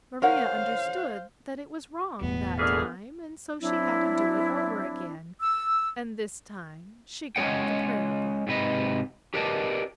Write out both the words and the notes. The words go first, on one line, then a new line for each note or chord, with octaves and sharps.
Maria understood that it was wrong that time and so she had to do it over again: and this time she got the prayer-book.
A#4 C5 C#5 F5 F#5
E1 E2 A2 B3
F2 A#2 D3 E3 G#4 F6
F#3 C4 D4 E4
E6
G#3 C#4 C#5 D#5 F#5 G5
G#2 C3 B4 D#5
G4 A#4 B4 D5 D#5 A5